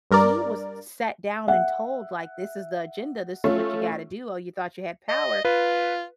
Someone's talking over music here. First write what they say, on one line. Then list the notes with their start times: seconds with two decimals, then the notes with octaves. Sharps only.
he was sat down and told, like, this is the agenda. This is what you gotta do. Oh, you thought you had power.
0.11 G2 A#4 D5
1.48 E5 F#5
3.44 A3 C#4 F4
5.09 D#5
5.45 F4 B4